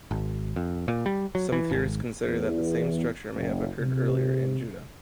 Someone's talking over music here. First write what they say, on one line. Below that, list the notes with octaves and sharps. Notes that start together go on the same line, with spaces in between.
Some theorists consider that the same structure may have occurred earlier in Judah.
G#1
F2
A#2
G3
F#3
E3
G#1
E2
F#1
C3